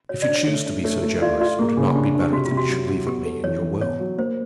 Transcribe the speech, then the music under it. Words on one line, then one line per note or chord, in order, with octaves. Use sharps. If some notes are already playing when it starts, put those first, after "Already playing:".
If you choose to be so generous, would it not be better that you should leave it me in your will?
F#4 C#5
D5
D4
C#5
A3 C#5
D4
A3 C#5
A3
F4 D5
F4 D5
A#3 G#4
C#3
D4 G4
D4
G4
C3 F#4
F4
C3
F#4
F#3
F#3
B3 G4
A4
E3 C#5
E3
B3 C#5
F#3
A#3 C5